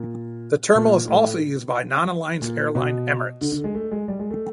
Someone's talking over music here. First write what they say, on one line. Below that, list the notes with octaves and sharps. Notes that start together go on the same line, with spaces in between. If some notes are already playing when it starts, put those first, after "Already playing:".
The terminal is also used by non-alliance airline Emirates.
Already playing: A#2
A#2
A2
A#2
B2
D3
D3
G#3
A3
G#3
G3
G#3
A3